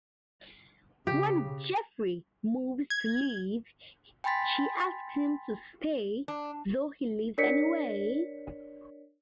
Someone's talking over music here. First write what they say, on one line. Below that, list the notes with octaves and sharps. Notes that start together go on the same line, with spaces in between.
When Jeffrey moves to leave, she asks him to stay, though he leaves anyway.
C#3 G4
G#6
G5 G#5 B5 C6 A6 B6
D4
D4 A#4 C#5 D5 B6 C#7